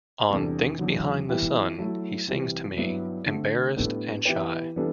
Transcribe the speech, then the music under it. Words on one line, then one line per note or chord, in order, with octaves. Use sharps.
On 'Things Behind The Sun', he sings to me, embarrassed and shy.
E2 C3 G3 D4 A4
E2 D3 F#3
E3 G3 B3 E4 G4
F#3 A3 E4
C3 E3 G3
G2 F#3 B3 E4
D3 A3 C4
A2 G3 B3 D4 A4
E3 B3 E4 G4 B4
E3 G3 B3 D4 A4